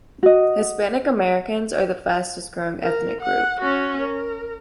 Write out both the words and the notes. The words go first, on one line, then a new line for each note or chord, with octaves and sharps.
Hispanic Americans are the fastest growing ethnic group.
F#4 D#5
A#4
F#5
C#4 F#4
A#4